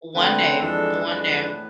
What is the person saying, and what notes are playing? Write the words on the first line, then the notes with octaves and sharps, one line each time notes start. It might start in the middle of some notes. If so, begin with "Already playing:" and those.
one day, one day.
D3 A3 C4 B4
F2 E3 G#3 D4 A4
F2 E3 G#3 D4 B4
A2 E3 B3